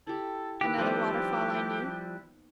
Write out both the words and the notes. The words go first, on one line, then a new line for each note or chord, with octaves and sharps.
"Another waterfall I knew."
E4 G4 A4
D#3 E4 G4 B4 F#6
F3 G3 A#3 B3 G4 C5